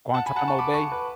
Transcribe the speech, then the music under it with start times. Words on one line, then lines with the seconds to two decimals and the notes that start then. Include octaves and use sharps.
Guantanamo Bay?
0.14 F#5 A5
0.26 G#5 B5
0.36 F#5 A5
0.48 A5 C#6
0.59 B5 D6
0.74 A5 C#6
0.92 B4